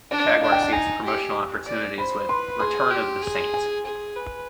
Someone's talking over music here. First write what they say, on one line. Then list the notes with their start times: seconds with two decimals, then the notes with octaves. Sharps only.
Jaguar seized promotional opportunities with "Return of the Saint".
0.11 D4 D5
0.26 D#5
0.42 D4 F5
0.52 G5
0.63 G5
0.73 D#4 G#5
1.04 G4
1.66 D5
1.98 C5 B5
2.29 B4 C6
2.60 G#4 C6
2.91 G4
3.22 G#4
3.54 G#5
3.85 G#4
4.16 B4